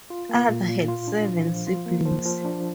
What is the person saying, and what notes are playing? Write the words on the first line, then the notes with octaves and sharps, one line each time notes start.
Ada had seven siblings.
F4
A#3
A#2
A#2
F4
D4
F3
F3
F4
A#3
F3
F3
D4